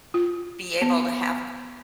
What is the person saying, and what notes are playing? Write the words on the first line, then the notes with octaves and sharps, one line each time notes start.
be able to have a go
F4
B3